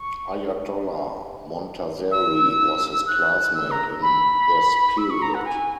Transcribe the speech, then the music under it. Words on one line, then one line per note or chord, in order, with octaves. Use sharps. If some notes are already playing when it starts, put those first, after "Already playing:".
Ayatollah Montazeri was his classmate in this period.
Already playing: C#6
E6
F#6
E6
A#5
B5
E6
C#6
A#5
F#5
G#5